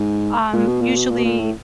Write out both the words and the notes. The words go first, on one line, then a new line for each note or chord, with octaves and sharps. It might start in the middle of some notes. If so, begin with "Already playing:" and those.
um, usually
Already playing: G#2
A#2
B2
A#2
B2
A#2
B2
A#2
A2